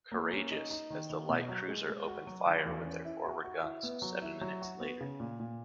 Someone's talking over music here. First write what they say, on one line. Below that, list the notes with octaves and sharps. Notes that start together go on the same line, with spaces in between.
"Courageous" and the light cruiser opened fire with their forward guns seven minutes later.
A#3
C#4
D#4
D#4
D#3
D#3
B2
F#3
G#3
G#3
F#4
F#3
D#3
E2
C#4
E4
F#4
F#4
E4
B3
F#3
E4
F#3
F#4
B3
C#3
A#2
A#2